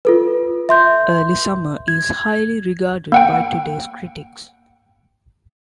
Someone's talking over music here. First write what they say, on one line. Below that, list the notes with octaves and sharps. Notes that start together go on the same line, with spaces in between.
"Early Summer" is highly regarded by today's critics.
F4 A4 B4
E5 C6 G6
G#6
A#3 F#5 G5